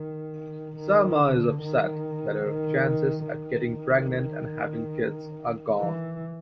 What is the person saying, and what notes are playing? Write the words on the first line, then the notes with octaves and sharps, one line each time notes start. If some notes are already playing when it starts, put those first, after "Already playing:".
Selma is upset that her chances at getting pregnant and having kids are gone.
Already playing: D#3
D#3
D3
D#3
D#3
D#3
E3